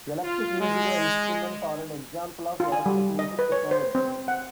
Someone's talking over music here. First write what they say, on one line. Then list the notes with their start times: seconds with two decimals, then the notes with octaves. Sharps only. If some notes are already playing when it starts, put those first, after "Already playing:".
Electric musical instruments are an example of electric music technology.
0.23 F4
0.60 G#3
2.60 F4
2.72 G#5
2.86 G3
3.19 D#5
3.39 B4
3.52 C#5
3.71 C5
3.95 C4
4.28 F#5